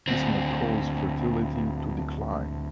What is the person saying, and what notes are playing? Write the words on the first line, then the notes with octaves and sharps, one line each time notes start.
This may cause fertility to decline.
D2 C4